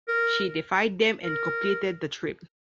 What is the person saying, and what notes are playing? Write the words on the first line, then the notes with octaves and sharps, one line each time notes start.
She defied them and completed the trip.
A#4
A#4